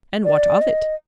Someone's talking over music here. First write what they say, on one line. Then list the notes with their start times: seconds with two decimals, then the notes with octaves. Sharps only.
"And what of it?"
0.25 D5
0.61 D#5